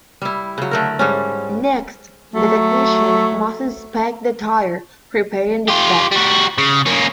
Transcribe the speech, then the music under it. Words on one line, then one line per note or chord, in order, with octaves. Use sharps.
Next, the technician must inspect the tire, repairing defects.
G3 E4
C#3 F#3
D3 A3 A#4
G#2 G3 C#4
F#3 A3
F4 G4
G3 F#4
C#3
A#3 C#4